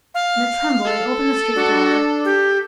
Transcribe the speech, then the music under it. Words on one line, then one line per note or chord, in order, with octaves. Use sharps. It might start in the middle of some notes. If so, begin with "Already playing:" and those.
In a tremble they opened the street door.
F5
A4
D4 F#4
G4